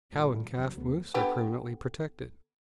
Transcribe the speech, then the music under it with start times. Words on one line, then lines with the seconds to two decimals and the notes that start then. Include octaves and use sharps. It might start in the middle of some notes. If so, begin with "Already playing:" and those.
Cow and calf moose are permanently protected.
0.12 G2 A#2 D#3
0.57 B1 E2 D3 F#3
0.76 D#2 C#3 A3 B3
1.14 D3 B3 G4